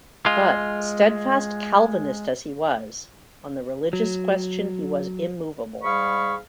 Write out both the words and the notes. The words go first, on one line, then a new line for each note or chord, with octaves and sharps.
But, steadfast Calvinist as he was, on the religious question he was immovable.
G#3 F4
F#3
G#2 G3 G#4 F5 B5 C#6